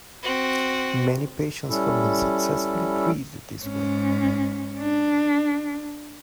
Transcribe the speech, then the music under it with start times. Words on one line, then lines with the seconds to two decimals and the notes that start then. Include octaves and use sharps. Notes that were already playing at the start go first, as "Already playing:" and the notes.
Many patients have been successfully treated this way.
0.23 C4 F#4
1.68 G3 C#4 E4 A4
3.62 G#2 C#4
4.80 D4